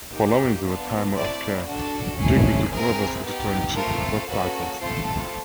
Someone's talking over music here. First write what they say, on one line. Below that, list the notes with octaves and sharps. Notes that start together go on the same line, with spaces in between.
Following the retirement of Kerr, Digby took over as Editor-in-Chief of both titles.
A#3 D#4 G4
B3 D4 F4
A3 C4 E4 D5
D4 F#4 A4
A3 C#4 E4 G#4
C4 E4 G#4 A#4
B3 D#4 G4
A3 C4 F4 A4 A#4
A#3 C#4 F#4 A4 B4
A3 C4 F4 A4 C5